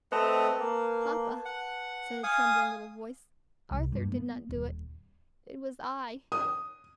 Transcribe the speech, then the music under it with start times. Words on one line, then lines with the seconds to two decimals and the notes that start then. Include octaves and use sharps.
"Papa," said a trembling little voice, "Arthur did not do it; it was I."
0.12 A3 C4 B4 D#5 A5
0.59 A#3
1.45 F#5
2.24 F5 G#5 D#6
3.71 C2
3.92 G2
4.12 B3
4.49 D#1
6.32 D#6